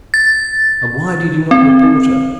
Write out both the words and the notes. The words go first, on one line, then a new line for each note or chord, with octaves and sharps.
"And why did you not report her?"
A6
C4